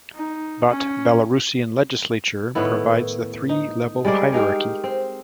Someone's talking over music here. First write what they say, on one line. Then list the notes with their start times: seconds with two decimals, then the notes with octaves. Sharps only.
But Belarusian legislature provides the three-level hierarchy.
0.15 D#4
0.68 C#4
2.55 A2 D#3 B3 E4
3.49 D#4
4.05 G3 G#3 A#4 D5
4.32 G#3 D#4 G4 A#4
4.84 C4